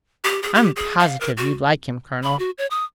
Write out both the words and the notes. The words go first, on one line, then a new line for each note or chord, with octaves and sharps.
"I'm positive you'd like him, colonel."
G4
G#4
G4
G#4
F5
A#4
F#4
B5
F#4
C#5
D#6